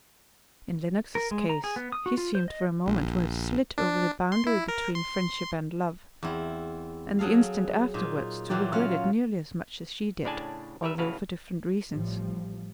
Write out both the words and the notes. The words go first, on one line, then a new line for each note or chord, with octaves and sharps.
In Lennox's case, he seemed for a moment to have slid over the boundary between friendship and love; and the instant afterwards, to regret it nearly as much as she did, although for different reasons.
A#4
G#3
A#5
G#4
B3
D#6
F#4
F4
C5
D#5
A#1
D4
C6
E4
A#4
C6
E2 C4 E4
F#3 G#4 A4 F5
A#2 D#4
A#2 E3 F#3 D5 G5
F#3 C#4 F4
A2 C#3 D4 D5 G#5 A5
G3 A#4 B4 E5
A2 C#3 E4 F#4 B4 F5
A1 A2 F3 G3